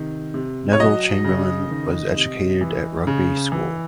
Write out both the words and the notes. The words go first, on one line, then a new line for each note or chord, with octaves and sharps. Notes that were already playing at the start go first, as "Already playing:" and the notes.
Neville Chamberlain was educated at Rugby School.
Already playing: C3 D#3
C3
C#5
F#3 D#5
C#3
D#3
C3
E3
C#3
E3